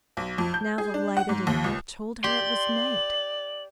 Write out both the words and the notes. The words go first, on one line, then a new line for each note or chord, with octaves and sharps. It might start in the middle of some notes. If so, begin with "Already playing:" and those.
Now the lighted lamp told her it was night.
B1
F2
G6
G#4
D4
F#5
G#2
D#2
C#2
G4 D5 C6 F#7